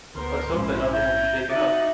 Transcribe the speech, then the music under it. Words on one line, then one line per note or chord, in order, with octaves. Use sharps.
Let’s hope that nothing will be shaken up!
D2 B3 A#4 C5 C6
A#1 G#2 C#4 E4
E5 A#5 G6 G#6
D#4 F#4 D#5 E5 D6 F#6 A6 C#7